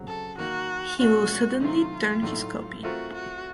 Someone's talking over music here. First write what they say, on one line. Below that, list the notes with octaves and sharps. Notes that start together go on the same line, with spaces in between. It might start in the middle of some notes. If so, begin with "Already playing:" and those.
He will suddenly turn his copy.
Already playing: C#3 F#3 C4 F#4
A4
D#3 A#3 D#4 F#4 A#4
A#2 A3 C#4 F4 F#4
C3 D#3 F#3 A3 D#4 F4
A2 F#3 A3 D#4 A4
A3 C4 F4 F#4 A#4
F#4